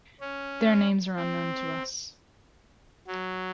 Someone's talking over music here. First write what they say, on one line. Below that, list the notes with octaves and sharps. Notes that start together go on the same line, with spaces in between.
Their names are unknown to us.
C#4
C4
F#3